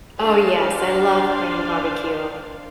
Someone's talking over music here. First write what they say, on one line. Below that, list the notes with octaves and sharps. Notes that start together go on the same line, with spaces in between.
Oh, yes, I love Korean barbecue.
D4 C5 D5 F5 C6